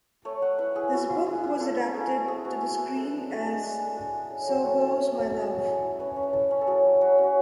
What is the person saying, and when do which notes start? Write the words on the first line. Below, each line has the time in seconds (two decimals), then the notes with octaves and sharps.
This book was adapted to the screen as "So Goes My Love".
0.25 A3 C#5
0.42 A3 F#5
0.59 E4 B4
0.75 E4 G#4
0.93 E4 F#4
1.09 E4
1.26 E4 G#4
1.43 E4
1.56 E4 A4 B4
1.77 E4
1.94 A3 G#4
2.11 A3
2.24 A3 G#4 A4
2.45 E4 F#4
2.61 E4 G#4
2.78 E4 B4
2.96 G#3 A4
3.12 D4
3.30 G#3
3.47 G#3
3.63 D4 G#4
3.79 D4
3.87 A4
3.97 D4 G#4
4.14 G#3
4.30 C#4 G#4
4.41 A4
4.48 F#3 G#4
4.65 C#4 A4
4.81 E4 A4
4.98 C#4
5.15 F#3
5.33 E4
5.49 F#3
5.58 G#4
5.66 E4 A4
5.83 E4
6.00 C#4 B4
6.16 C#4
6.33 E4 A4
6.51 C#4
6.61 A4
6.67 F#3 G#4
6.85 F#3
7.01 F#3 F#4
7.18 C#4
7.23 F#4